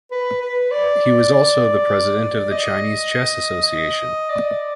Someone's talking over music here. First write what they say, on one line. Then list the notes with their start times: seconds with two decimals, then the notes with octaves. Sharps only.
He was also the President of the Chinese Chess Association.
0.11 B4
0.41 B4
0.71 D5
2.51 D#5
4.30 D5